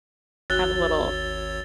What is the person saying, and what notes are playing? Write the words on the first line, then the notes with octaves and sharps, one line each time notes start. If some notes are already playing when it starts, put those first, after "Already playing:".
have a little
G#1 D#2 F#4 C#5 E6 F#6 A6 G7